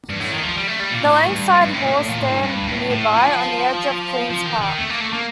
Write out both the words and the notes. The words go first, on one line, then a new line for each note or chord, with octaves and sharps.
The Langside Halls stand nearby, on the edge of Queen's Park.
G2
A2
D#3
F3
G3
A3
G3
A#2
A2
G2
G2
G2
A2
A#2
A2
A#2
A2
G2
G2
A2
A2
F3
F3
D#3
D#3
A3
A#3
A3
A#3